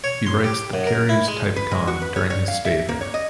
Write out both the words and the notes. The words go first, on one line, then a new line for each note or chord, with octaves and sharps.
He writes the Karyes Typicon during his stay there.
C#5
C6
G4
F#2
A#4
E4
G#3
B4
G#3
F#4
B4
C#5
C#5
F5
E5
A#3
C#5
D#5